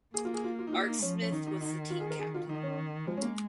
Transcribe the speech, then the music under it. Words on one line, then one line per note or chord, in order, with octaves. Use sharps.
Art Smith was the team captain.
A#3 G#4
F4
G#4
F4
F4
D#4
A#3 F4
D#4
F3 C#4
C#4
D#3 D#4
D#4
D#4
F4
G#4
A#4
G#4
F4
D#3 D#4
C#4
F3 G#3
C#4
A#3